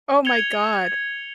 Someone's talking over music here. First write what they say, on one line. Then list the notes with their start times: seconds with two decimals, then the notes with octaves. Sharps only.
Oh my god.
0.25 G#6 C#7 F7 G7